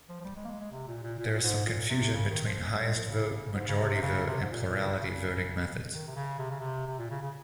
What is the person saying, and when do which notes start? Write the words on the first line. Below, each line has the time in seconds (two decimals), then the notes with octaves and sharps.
There is some confusion between highest vote, majority vote and plurality voting methods.
0.09 F3
0.20 F3
0.25 G3
0.36 G#3
0.45 A#3
0.48 G#3
0.60 G#3
0.71 C3
0.87 A#2
1.03 A#2
1.19 A#2
1.32 A#2
1.43 G#2
1.66 A#2
1.89 C3
2.14 C#3
2.30 D#3
2.45 F3
2.61 G3
2.73 G3
2.85 G#3
2.97 F3
3.08 C#3
3.32 C#3
3.55 G#2
3.68 C#3
3.79 C3
3.95 C3
4.02 C#3
4.27 C3
4.41 G#2
4.50 A#2
4.66 A#2
4.82 C#3
4.92 C3
4.98 C#3
5.92 D#3
6.07 C3
6.16 C#3
6.39 C3
6.50 C#3
6.60 C3
6.87 C3
6.99 A#2
7.10 C#3
7.22 C#3